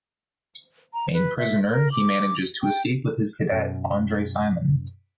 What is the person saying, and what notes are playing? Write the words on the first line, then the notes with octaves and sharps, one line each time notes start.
Made prisoner, he manages to escape with his cadet, André Simon.
A#5
B4
E5
A#4
D6
G5
F#2 B2